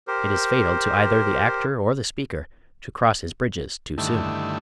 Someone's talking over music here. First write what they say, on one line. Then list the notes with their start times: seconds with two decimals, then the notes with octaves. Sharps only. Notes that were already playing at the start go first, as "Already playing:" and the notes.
It is fatal to either the actor or the speaker to cross his bridges too soon.
0.08 G4 A#4 C5
3.98 G2 D3 D#3 A3 E4